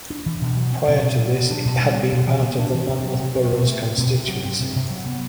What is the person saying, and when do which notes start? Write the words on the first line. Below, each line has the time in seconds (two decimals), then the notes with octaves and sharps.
Prior to this it had been part of the Monmouth Boroughs constituency.
0.10 D4
0.26 E3
0.41 B2
0.57 F#3
0.73 C4
0.88 B2
1.03 C3
1.18 F#3
1.34 B3
1.50 D4
1.65 B2
1.81 G3
1.96 C4
2.12 B2
2.27 E3
2.42 B3
2.59 D4
2.74 E3
2.89 C3
3.05 F#3
3.20 C4
3.35 C3
3.52 B2
3.66 A3
3.82 C4
3.98 B2
4.14 C3
4.28 F#3
4.44 C4
4.60 C3
4.76 C3
4.90 F#3
5.06 B3